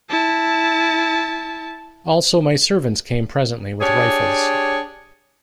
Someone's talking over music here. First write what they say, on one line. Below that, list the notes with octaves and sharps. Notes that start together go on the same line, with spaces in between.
Also my servants came presently with rifles.
E4 A5
D4 G4 G#4 C#5